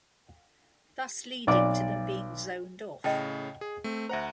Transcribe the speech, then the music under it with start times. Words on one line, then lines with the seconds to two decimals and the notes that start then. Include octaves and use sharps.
Thus leading to them being zoned off.
1.47 B1 D5 D6
3.04 A2 C#3 D#5 G5 A5
3.61 G#4
3.84 A3 C4
4.09 D2 C5 E5 F#5 A#5